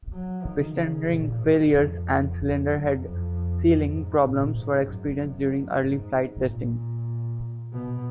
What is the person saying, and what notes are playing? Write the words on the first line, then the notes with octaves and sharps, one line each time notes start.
Piston ring failures and cylinder head sealing problems were experienced during early flight testing.
F#3
D#3
C#3
A#2
G#2
F2
F#2
F2
G#2
A#2
G#2
F#2
F#2
G#2
A#2
B2